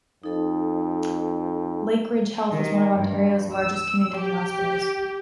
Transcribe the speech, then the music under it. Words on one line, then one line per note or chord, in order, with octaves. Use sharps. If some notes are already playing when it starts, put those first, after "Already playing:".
Lakeridge Health is one of Ontario's largest community hospitals.
F2 D#4 A4
D#3
G2
E6
G4